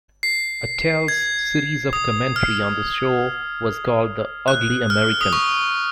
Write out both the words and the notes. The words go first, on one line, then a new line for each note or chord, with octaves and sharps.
Attell's series of commentary on the show was called "The Ugly American".
C7
G#6
D#6
F6
F6
F#6
F6
D#6
C#6